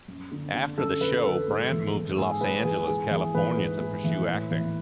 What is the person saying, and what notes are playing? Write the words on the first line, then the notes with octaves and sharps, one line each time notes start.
After the show, Brandt moved to Los Angeles, California to pursue acting.
F#2
D3
D3
F#2 A4
F#2 B4
D3 A4
G#2
E3
E3
G#2 G#4
G#2 B4
E3 G#4
G#2 G#4
E3 G#4
E3 B4
G#2
G#2
E3
A2
E3